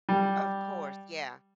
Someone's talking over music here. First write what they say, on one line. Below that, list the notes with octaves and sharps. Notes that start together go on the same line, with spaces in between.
Of course, yeah.
G3